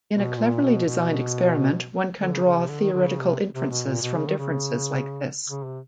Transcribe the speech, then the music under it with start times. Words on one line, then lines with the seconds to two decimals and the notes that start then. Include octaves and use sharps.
In a cleverly designed experiment, one can draw theoretical inferences from differences like this.
0.14 B2
0.37 A#2
0.63 B2
0.86 B2
2.20 D3
2.32 C#3
2.44 C#3
2.57 C3
2.69 D3
2.80 D#3
2.93 D3
3.05 C#3
3.21 C3
3.54 C3
3.70 B2
3.86 A#2
4.02 B2
4.15 C#3
4.27 D#3
4.39 C#3
5.48 C#3
5.65 C3